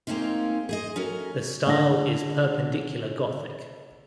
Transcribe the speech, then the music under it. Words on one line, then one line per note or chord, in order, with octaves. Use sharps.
The style is Perpendicular Gothic.
G#3 A#3 C4 C#4 D#4 F4
G#4 C5 D#5
C#4 F#4 A4 A#4
D3 C#4 A#6